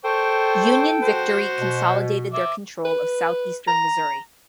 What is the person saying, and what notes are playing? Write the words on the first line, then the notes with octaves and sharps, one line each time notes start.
Union victory consolidated their control of southeastern Missouri.
A4 C5 G5 C#6
F#4 C5
B2
E5 D6
B4
A#5